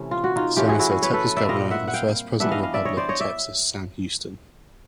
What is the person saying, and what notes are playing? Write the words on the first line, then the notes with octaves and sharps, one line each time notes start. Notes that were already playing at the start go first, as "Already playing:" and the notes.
Senator, Texas Governor, and first President of the Republic of Texas, Sam Houston.
Already playing: C3 E3 A3 C#4
F4
F#4
D#4 F4
E3 A3 C#4 F4 G4
F#4 G#4
E4 F#4
F#4 G#4
B4 C#5
A4 B4
D5 E5
A#2 G3 C4 D#5 F5
E5 F#5
F#5
F5 G5
E3 G3 B3 D4 E5 F#5
D#5 F5
D#5 F5
D5 E5
C#5 D#5
C5 D5
C#5 D#5
D5 E5